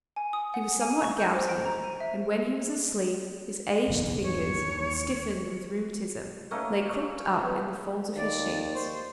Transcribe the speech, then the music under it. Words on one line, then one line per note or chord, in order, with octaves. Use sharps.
He was somewhat gouty, and when he was asleep, his aged fingers, stiffened with rheumatism, lay crooked up in the folds of his sheets.
G#5
D#6
F#5
G#5
C#6
G6
C5
D7
A#5
D#7
E5
F#1 B1 E2
E2 G2 C#5
D#2
A3 A#3 C#4 D#4
C#3 B3
D#2 D5
C5 C#6